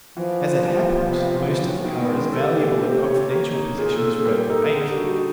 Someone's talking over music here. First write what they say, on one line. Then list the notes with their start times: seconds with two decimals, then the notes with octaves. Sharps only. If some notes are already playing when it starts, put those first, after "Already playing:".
As it happened, most of Kara's valuable and confidential possessions were at the bank.
0.16 E3 F3
0.41 E3
0.65 G3
0.88 B3
1.12 C3
1.37 E3
1.61 D#3 F#3
1.85 D#3 A#3
1.96 B3
2.09 G#3
2.15 C#4
2.33 G4 A4
2.57 A3
2.80 C4
3.05 C#5
3.29 A#3
3.53 D#4
3.77 A#2 G#4
3.96 A4
4.02 A#2
4.13 A4
4.25 G3
4.31 A#4
4.50 D#4 A4
4.73 D3 G#4
4.89 G4
4.97 G3 F#4